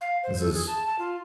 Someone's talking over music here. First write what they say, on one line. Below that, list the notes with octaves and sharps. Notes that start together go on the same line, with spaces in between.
This is
F5
C5
A4
G#4
A5
A5
F4